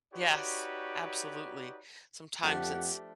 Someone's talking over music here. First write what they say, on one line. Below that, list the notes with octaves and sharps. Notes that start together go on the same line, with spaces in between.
Yes. Absolutely. Sometimes it's
D#4 F#4 G4 B4 C#5 D5
F2 F3 A3 D4 G4 F#5